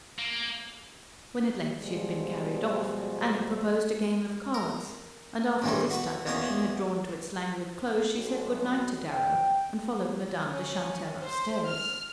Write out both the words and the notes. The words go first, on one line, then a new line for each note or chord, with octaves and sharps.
When at length she had been carried off, Anna proposed a game of cards, and after this diversion had drawn to its languid close she said good-night to Darrow and followed Madame de Chantelle upstairs.
A#3
B2 F3 G3 G#3
A#4
A1 G2 D#3 E3 G3 A3
F#4 B4
E2 A#3 B3 C#4 D#6
B1
G5
C#4
C5
F6